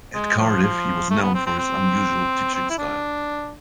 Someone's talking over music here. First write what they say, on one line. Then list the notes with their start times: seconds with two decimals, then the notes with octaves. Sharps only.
At Cardiff he was known for his unusual teaching style.
0.15 G#3
0.39 F3
0.63 F3
1.11 A3
1.22 B3
1.35 C4
1.46 C4
1.59 C4
2.54 C4
2.70 E4
2.79 D4